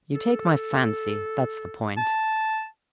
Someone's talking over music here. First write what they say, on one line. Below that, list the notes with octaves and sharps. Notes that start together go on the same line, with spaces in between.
You take my fancy; that's the point!
A4
A5